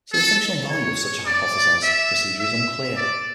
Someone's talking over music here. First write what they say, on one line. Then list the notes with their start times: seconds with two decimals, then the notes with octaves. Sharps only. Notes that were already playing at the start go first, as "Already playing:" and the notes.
So the functional value of such a hypothesized procedure is unclear.
0.13 A4
0.70 C#5
1.26 D5
1.83 E5
2.40 E5
2.97 D5